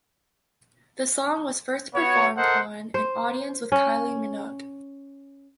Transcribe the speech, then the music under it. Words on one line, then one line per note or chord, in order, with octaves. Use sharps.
The song was first performed on "An Audience With Kylie Minogue".
B3 F#4 C#5
A4 A#4 C5 D#5 F#5
C5
C#4